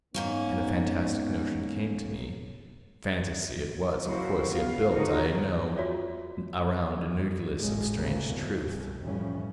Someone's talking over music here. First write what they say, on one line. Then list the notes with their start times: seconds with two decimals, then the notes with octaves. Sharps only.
And a fantastic notion came to me--fantasy it was, of course, yet built I know around a nucleus of strange truth.
0.14 G#2 A#3 B3 C#4 D#4
4.07 C#3 F#3 A#3 E4 F#4 C5
4.49 B3 F5
4.93 A2 D3 D#4 F4 F#4 A#4
5.76 F4 F#4 C#5 D5 E5
7.57 G#1 C#2 F#2 A2 C#3 G#3
7.94 A#2 C#3 A3 A#3 C4
8.26 E2 G2 B2
8.61 C2
9.00 F2 A2 E3 F3 G3 C#4